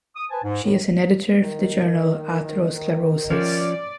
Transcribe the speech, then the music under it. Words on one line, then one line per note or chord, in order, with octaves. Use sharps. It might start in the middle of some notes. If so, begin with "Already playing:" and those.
She is an editor for the journal Atherosclerosis.
D#6
B4 C5 G#5 A5
G#2
A2 D#3
D#3
F3 C#4 D5